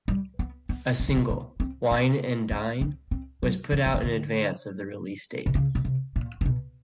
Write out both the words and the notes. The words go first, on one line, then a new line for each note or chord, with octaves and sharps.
A single, "Whine and Dine", was put out in advance of the release date.
G3
B3
B3
C4
C#4
C4
B3
C4
C4
C#4
C4
C4
F#3
E3
E3
D#3
D3
C3
C#3
B2
C3
A#2
A#2
B2